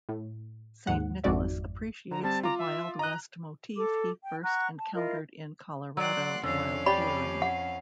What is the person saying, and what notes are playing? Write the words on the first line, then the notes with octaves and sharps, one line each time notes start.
Saint Nicholas appreciates the wild west motif he first encountered in Colorado while touring.
A2
D#2 G#2 F#5
G#1 F2 G#2 F#4 D5 E5
D3 A#5
G3 C4 A5
F4 A#5 D6
E5
D#5 A#5 F#6
A4 D6
G5
F#5 A#5 C#6 F#6
A5
E4 F4 A#4 D#5
F#3 D5 F#5 C6
F2 D3 C#4 F5
G4 D5 B5
F#5